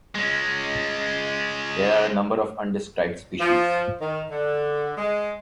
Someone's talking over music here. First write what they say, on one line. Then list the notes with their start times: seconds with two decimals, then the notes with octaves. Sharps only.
There are a number of undescribed species.
0.15 G#3 C#4
3.40 F3
4.00 D#3
4.31 D3
4.97 G#3